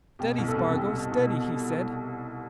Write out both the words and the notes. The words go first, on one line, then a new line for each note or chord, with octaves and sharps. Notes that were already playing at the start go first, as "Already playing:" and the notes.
"Steady, Spargo, steady!" he said.
B2 G4
C2
A4
C2
C2 G4
B2
B2